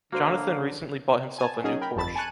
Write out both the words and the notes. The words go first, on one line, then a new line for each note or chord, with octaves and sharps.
Jonathan recently bought himself a new Porsche.
D3 A#3 F#4 C5
G#5 A5
F#3 C#4 D#4 G#4
A#4 G5 B5
G1 F2 A5 B5 A6
G#5 A5 C#6 F#6 D#7